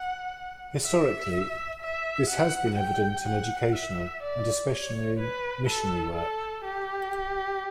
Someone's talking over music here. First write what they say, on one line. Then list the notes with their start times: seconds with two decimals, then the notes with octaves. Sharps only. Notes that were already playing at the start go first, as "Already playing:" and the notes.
Historically, this has been evident in educational and especially missionary work.
Already playing: F#5
0.85 E5
1.81 E5
2.29 F#5
2.78 G5
3.26 F#5
3.75 E5
4.23 D5
4.72 C#5
5.19 B4
5.68 A4
6.15 A4
6.65 G4